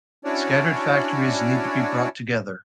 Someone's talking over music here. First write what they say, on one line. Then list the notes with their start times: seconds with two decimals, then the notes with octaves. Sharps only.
Scattered factories need to be brought together.
0.25 C#4 D4 E4 F#4 C#5 D5